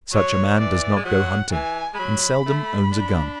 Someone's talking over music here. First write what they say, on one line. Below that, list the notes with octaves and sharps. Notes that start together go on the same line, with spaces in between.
Such a man does not go hunting and seldom owns a gun.
F#3 C#5
E3 D5
G#3
F#3 F#5
E3 G#5
G#3
F#3 B5
A3
D4